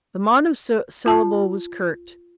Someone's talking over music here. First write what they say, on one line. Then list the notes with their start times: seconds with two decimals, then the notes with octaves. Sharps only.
The monosyllable was curt.
1.06 F4 A5